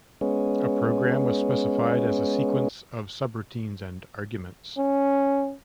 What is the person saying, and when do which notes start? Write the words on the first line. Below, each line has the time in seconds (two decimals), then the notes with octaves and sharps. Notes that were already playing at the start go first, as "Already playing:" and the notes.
A program was specified as a sequence of subroutines and arguments.
0.21 G#3 B3 C#4
4.78 C#4